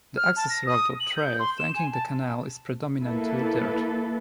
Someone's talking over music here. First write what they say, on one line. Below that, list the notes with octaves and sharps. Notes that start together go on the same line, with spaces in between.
The access road or "trail" flanking the canal is predominately dirt.
F6
A5
A#6
D#6
F#7
G6
C6
E7
G#5
A5
A#3 E4 A4 B4